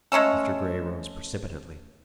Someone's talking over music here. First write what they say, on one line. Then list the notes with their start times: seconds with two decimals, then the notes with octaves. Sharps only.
Mr. Grey rose precipitately.
0.12 G#3 A3 C#4 A4